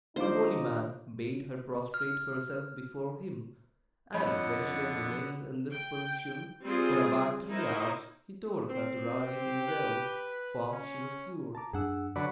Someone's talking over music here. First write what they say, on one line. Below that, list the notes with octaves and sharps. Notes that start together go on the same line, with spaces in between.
The holy man bade her prostrate herself before him, and when she had remained in this position for about three hours, he told her to rise and go, for she was cured.
D#2 D4 D#4 F4 C5 D6
F6
F2 D3 B3 C#5 D#5 F#5 B5
G5
G3 C4 F4 G#4
D#4 E4 A#4 C5 D#5
C4
G4
B4
C#4
A5 A#5 D6
F#2 D4 G#4 F#5 E6
D3 F#3 B4 D5 F#5